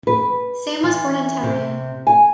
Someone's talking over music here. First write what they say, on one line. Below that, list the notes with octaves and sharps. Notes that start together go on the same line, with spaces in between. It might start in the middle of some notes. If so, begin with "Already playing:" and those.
Sam was born in Tehran.
B4
E3
C3
G#5